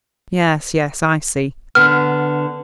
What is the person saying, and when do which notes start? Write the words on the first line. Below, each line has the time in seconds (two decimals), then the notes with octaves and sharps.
Yes, yes; I see.
1.75 D3 B3 F6